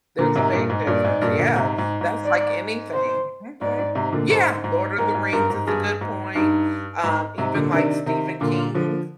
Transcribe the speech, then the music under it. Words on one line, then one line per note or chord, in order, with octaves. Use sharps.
There's a big difference, yeah, that's like anything, mhm Yeah, Lord of the Rings is a good point, um, even like Stephen King's,
A#2 D3 A#4
G#2 C3
G2 A#2
G#2
G2 A#2 D5
G#2
G2 A#2
A#2 D3
G#2 C3
G#2
G#2
D5
C5
G#2 D5
G#2
G#2 C3
A#2 D3
G#2 C5
G#2
G#2 A#4
G#2
G2 A#4
G#2
G2 G#4
G#2
G2 D#4
G#2
G#2 C3
A#2 D3
C3 D#3 D4
C3 D#3
A#2 D3 F4
D3 F3